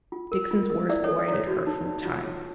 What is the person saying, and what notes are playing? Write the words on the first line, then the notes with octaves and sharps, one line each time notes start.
Dixon's words quieted her for the time.
F4
A#4
F4
A#4
E4 D5 E5
C#5 D#5
A4
D5
E4
C#5
F#4
D#4
D#4
F4
C#5